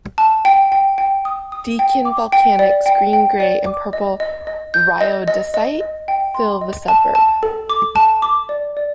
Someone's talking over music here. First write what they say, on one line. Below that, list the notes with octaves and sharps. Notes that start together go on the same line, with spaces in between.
Deakin Volcanics green-grey and purple rhyodacite fill the suburb.
A5
G5
G5
G5
D#6
D#6
G5
D6
G5
D5
G5
G5
D5
D6
D#5
D#5
D#5
G6
D#5
D#5
D#5
D#5
G5
C6
D#5
A5
A5
A4
D6
A5
D6
D5
D5